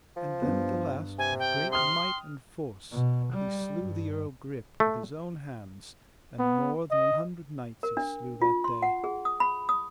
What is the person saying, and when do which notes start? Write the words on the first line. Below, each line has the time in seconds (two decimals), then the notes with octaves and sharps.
And then, at the last, by great might and force, he slew the Earl Grip with his own hands, and more than an hundred knights he slew that day.
0.16 F3
0.42 G2 B3
1.18 C3 G#5
1.39 G5
1.71 G5 C6 D#6 F6
2.92 B2
3.33 G3
3.80 G2
4.80 A3
6.39 B3
6.91 D#5
7.83 A#4
7.97 D4
8.42 F4
8.64 C6
8.82 F#5
9.04 G#4
9.25 D#6
9.40 B5
9.69 D#6